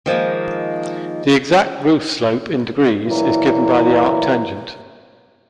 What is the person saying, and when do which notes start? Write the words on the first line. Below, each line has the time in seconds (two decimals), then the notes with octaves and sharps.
The exact roof slope in degrees is given by the arctangent.
0.06 D#3 F3 G#3 A#3
3.07 A#2 E3 F#3 E4 A#4